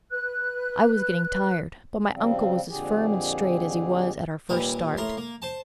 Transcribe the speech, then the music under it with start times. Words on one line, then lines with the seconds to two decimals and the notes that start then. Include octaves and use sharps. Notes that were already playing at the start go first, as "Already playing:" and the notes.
I was getting tired; but my uncle was as firm and straight as he was at our first start.
0.11 B4 F#6
2.11 C#3 F3 G3 C4
2.69 F2 A#2 D3 G4 G#4
4.49 D#2 A#2 G3 B4
4.97 A2 A#4 C6
5.17 A#3
5.42 C5 A5